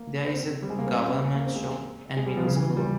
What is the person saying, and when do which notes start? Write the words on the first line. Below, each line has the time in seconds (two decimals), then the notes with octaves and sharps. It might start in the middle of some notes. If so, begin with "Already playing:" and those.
There is a government shop and middle school.
Already playing: A#3
0.34 C4
0.63 G3
0.70 G#3
0.79 A#3
0.86 C4
0.95 C#4
1.25 C#4
1.36 A#3
1.45 C4
1.56 G#3
2.17 G#3
2.26 G3
2.37 F3
2.46 C#3
2.56 E3
2.77 G3